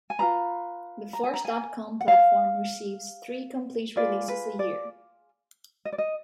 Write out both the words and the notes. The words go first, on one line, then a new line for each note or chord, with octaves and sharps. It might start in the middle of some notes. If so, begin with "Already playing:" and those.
The Force dot com platform receives three complete releases a year.
G#5
F4 G#4 B4 A#5
A#5
G#5
A#5
G#5
F#5
F5
F4 G#4 B4 D5
B4
D5
D#5
D5
D#5